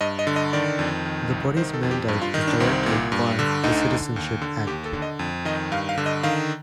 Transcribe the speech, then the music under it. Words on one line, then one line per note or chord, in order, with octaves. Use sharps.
The body's mandate is directed by the Citizenship Act.
G2 D#5
D#5
D3
D#5
D#3 D5
F2
D#3
C2
D#3 C5
A4
F2
G4
G2
F4
D#3 D#4
D4
C2 C4
A#2
G2
D3
D2 D#4
D3
D#2
D3
D#2 G4
A4
D3
D#5
F2
D#3 D#5
G2 F5
F5
D3
D#5
D#3 F5